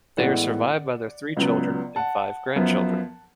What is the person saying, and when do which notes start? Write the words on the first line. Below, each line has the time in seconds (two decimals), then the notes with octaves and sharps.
They are survived by their three children and five grandchildren.
0.17 A1 A2 G#3 B3 D5 F#5
1.37 C#2 C#3 F#3 B3
1.96 F#5 A5
2.56 F#2 F3 B3